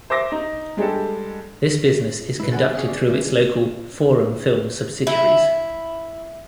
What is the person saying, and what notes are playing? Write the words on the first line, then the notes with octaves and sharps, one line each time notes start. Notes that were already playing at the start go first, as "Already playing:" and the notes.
This business is conducted through its local "Forum Film" subsidiaries.
C5 E5 D6 A#6
D#4
G3 G#3 D4 G4 A4
A2 G#3 E4 B4
D4 F#5 G#5 B5 A6
B3 C#4 G#4 D5 E5 G#5
D5
G#3 C#4 D5 E5
E4